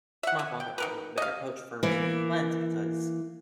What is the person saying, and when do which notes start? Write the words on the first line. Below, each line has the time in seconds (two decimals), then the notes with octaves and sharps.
smartphones are probably the better approach for making plans because
0.23 E5 F#5
0.39 E5 G#5
0.60 G5
0.78 D#4 A#4 B4
1.18 D#5 F5
1.83 E3 A#3